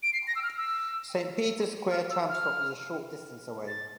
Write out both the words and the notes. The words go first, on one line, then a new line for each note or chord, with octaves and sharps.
Saint Peter's Square tram stop is a short distance away.
D7
C7
A#6
E6
F6
E6
F6
E6
F6
A6